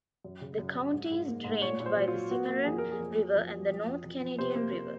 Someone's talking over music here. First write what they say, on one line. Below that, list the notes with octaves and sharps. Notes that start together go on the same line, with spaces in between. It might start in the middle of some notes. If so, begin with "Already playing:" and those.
The county is drained by the Cimarron River and the North Canadian River.
F#2
C#3
F#2
F#2
G#2
G#2
A#3
G#2
A#2 C#5
A#2
C5
F#3
F4
F#3
A#3 F#4
A#3
F2 G#4
A#3 A#4
G#4
F2
F#3
F2
F#3
F2
F2
F2
F2
C3 C5
A#3
A#3